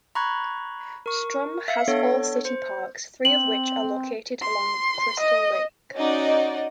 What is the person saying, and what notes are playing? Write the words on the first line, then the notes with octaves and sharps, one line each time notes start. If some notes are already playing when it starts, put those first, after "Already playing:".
Strum has four city parks, three of which are located along Crystal Lake.
A#5 B5 C#6 F#6 G#6
A#4 C#6
E5 F5 C#7
B3 D4 A4 C#5
C5
C4 F#7
C6
D#5
C#4 D#4 F#4 D5 D#5